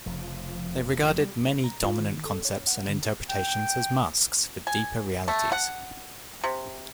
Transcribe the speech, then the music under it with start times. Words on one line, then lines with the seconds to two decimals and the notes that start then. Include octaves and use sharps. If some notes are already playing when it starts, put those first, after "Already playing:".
They regarded many dominant concepts and interpretations as masks for deeper realities.
0.06 F1 C#3 F3
1.17 G3
1.64 A#5
1.85 F4
2.00 D#3
2.25 A4
2.45 C#5
2.67 F#5
2.88 D3
3.29 G5
4.67 G#5
5.28 A3
5.52 F#5
6.44 C3